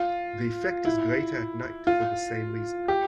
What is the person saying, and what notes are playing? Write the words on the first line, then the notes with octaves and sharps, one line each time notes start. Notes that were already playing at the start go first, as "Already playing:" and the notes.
The effect is greater at night for the same reason.
Already playing: F4
E4
F4
G4